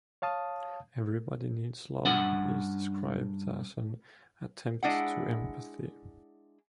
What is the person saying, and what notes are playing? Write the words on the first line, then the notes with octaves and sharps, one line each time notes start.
"Everybody Needs Love" is described as an "attempt to empathy".
C#5 F5 A5 D#6
G2 C#4 D4 F#5
G#3 D4 E4 F#5